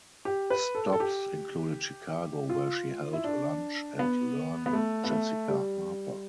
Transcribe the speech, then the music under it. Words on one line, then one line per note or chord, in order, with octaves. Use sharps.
Stops included Chicago, where she held a "Lunch and Learn with Jessica Harper".
G4
B4
A4
A4
G4
F4
E4
D4
B3
B3
A3
B3
A3
G3